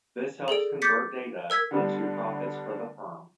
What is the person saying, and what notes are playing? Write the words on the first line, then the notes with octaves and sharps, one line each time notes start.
This helps convert data into profits for the firm.
G#4 A4 D5 D7
D6 G6 A6 B6 C#7
A#4 E6 G#6 B6
D3 G3 B3